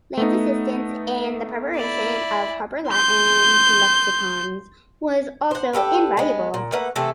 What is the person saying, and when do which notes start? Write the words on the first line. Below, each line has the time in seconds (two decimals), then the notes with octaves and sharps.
Lane's assistance in the preparation of Harper's Latin lexicons was also invaluable.
0.17 A3 B3 D#4
1.76 E4 D5
2.89 C6 G6
5.51 C5 F#5
5.73 D4 G4 A4 B4
6.17 G#3 B3
6.54 A#2
6.72 A3 A#3 B4 F#5
6.96 C3 E3 A3 A4